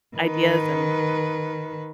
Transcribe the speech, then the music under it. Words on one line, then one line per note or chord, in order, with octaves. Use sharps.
ideas and
D#3 B4